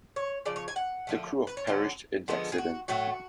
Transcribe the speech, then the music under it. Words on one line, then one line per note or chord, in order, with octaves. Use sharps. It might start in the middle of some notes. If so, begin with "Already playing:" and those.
The crew of perished in the accident.
C#5
C#3 F3 D5
C#5
G#5
F#5
D3 F3 A3
B4
C#5
D3 F#3 C#4
D3 F3 G#3 B3
G#4
F#4
A2 F#3 A3 F#4